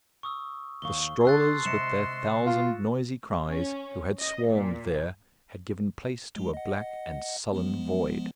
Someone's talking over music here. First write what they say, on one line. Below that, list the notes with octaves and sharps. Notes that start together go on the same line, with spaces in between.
The strollers, with their thousand noisy cries, who had swarmed there, had given place to a black and sullen void.
C#6 D#6 E6
D#2 D#3 F5 C#6 G7
D3 C6 E6 F#6 A6
C3 G#3 A#6 C#7 E7
F4
C#4
D#5
A#2
F#3 G#3
D#5 F#5
F3 G#3 B3